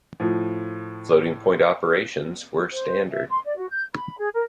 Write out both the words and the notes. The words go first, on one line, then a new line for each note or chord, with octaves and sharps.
Floating point operations were standard.
A2 F3
C5
E5
C6
D5
F#4
G6
B5
G#4
A#4